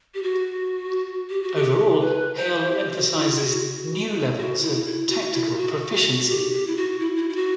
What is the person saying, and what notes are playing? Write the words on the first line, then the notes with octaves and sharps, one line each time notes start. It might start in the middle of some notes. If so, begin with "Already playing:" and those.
Overall, Hale emphasizes new levels of tactical proficiency.
G4
F#4
G4
F#4
G4
B4
C5
G4
F#4
E4
E4
F#4
F#4
E4
E4
F#4
F#4
E4
G4
F#4
F#4
F#4
G4
G4
E4
F#4
E4
E4
E4
F#4